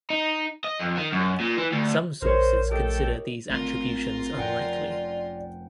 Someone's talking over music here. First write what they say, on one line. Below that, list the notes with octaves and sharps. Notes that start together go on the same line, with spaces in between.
Some sources consider these attributions unlikely.
D#4
D#5
F2
D#3
F#2
A#2
E3
D2
A#1 A#4 C5 C#5
A3 G4 A4 D#5 G5
A1 A3 C4 D4 F4 A#4
F1 C#4 D5 F#5 G5